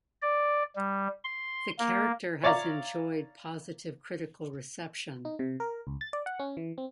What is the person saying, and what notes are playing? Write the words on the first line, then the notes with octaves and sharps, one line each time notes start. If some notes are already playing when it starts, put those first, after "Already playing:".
The character has enjoyed positive critical reception.
D5
G3
C6
A#3
C#5 D5 E5 F5 A#5
D#4
C3
A#4
C#2
A6
D5
F#5
C#4
E3
C4